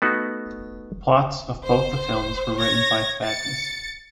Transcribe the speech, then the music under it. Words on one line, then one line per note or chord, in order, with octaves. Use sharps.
Plots of both the films were written by Phadnis.
A3 B3 D#4 F#4
C5
C#5 G#6 A#6
A6 C#7